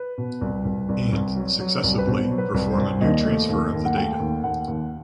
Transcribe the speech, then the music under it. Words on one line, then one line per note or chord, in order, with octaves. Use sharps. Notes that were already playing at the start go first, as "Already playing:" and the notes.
And, successively, perform a new transfer of the data.
Already playing: B4
B2
C2
C2
C2
C2
F#3
F#3
C2
B4
B2 C5
F#3
B4
C2
C5
C2
D#2 D#5
A3
D#2
D#2
F#5
A3 G5
D#2
D#2 F#5
D#2